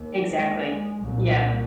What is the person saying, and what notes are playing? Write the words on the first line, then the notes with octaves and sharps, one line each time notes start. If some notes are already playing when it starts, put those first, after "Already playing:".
Exactly, yeah.
Already playing: D#2
G#3
C2 A#2